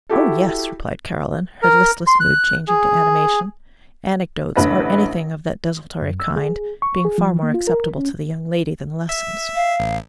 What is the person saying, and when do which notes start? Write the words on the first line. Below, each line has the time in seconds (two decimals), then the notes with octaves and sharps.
"Oh, yes!" replied Caroline, her listless mood changing to animation; anecdotes, or anything of that desultory kind, being far more acceptable to the young lady than lessons.
0.09 E4 F#4 G4 A4
1.63 A#4
2.07 C6
2.20 F#6
2.68 G#4
4.56 A1 D3 B4 E5 A#6
6.01 F#2
6.20 E6
6.36 G#4
6.82 C#6
7.05 G#4
7.18 F3
7.43 A#3
7.54 F4
7.67 A#4
7.98 C#4
9.09 E5
9.55 F5
9.80 A1